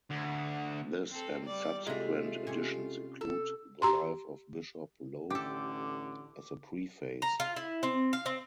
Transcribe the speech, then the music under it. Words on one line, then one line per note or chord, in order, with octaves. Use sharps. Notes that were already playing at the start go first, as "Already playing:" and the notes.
This and subsequent editions include the life of Bishop Lowth as a preface.
D2
C4 A4
G3 D5
C3 G#3 A3 F4 F#4
C3 C#4 C#5
A4
G4 A#5 C6
A1 D3 G4 A4 D6
A#5
F4
E4
C4
F5
C4